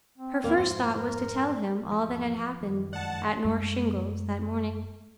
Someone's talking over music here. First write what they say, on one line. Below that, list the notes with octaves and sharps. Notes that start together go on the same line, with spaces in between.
Her first thought was to tell him all that had happened at North Shingles that morning.
C4
D#2 G#2 A#3 E4
F2 G#2 C5
A#4
E2 G#2 F3
F#2 D#3
F2 G#3 D5 F#5 A5
F#2 G#3 A3